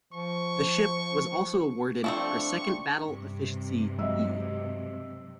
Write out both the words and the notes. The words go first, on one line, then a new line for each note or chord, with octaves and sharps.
The ship was also awarded her second Battle Efficiency "E".
F3 C#6
F3 A3 C4 D4 C#6
G2 C3
F#3 G#3 D#5 E5 E6